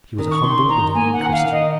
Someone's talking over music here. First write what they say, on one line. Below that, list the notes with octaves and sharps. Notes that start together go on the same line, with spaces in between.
She was a humble, believing Christian.
D#3
C#6
D#3 C6
D#4 A#5
A#3 G#5
F#5
D#3
F5
D#3
D#5